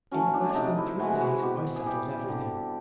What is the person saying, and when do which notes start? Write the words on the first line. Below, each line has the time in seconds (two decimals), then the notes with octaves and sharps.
In less than three days I settled everything.
0.11 F#3 A3 C#4
0.34 D4
0.49 D4
0.55 C3 D#4
0.78 E4
0.99 E3 G#3 F#4
1.21 F#4
1.42 B2 G4
1.76 G#4
1.86 G3 G4
2.28 D3 G4